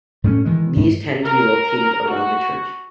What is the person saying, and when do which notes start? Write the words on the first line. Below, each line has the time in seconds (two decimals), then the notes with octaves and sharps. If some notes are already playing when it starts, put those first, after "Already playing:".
These tend to be located around the church.
0.24 A2 A3 A#3 C#4
0.45 D#3 E3 G#3
0.76 G#2
1.24 A#4
2.09 F#4